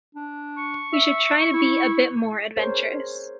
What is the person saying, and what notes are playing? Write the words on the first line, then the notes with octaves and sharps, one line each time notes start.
You should try to be a bit more adventurous.
D4
C#6
E5
E4
G#4 A#4 C5 C#5